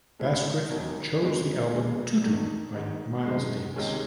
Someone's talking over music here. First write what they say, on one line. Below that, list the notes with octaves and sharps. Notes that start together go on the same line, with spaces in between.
Basquiat chose the album "Tutu" by Miles Davis.
A2 G#3 C#4 E4
E1 D#2 D#3 F#3
F#2 E3 G#3 C4 D#4
D#2 C#3 E3 G#3
E2 D#3 A3 D#4
G#1 G#2 D#3
F#1 F#2 D#3 G#3
C#2 C3 D#3 G#3 C#4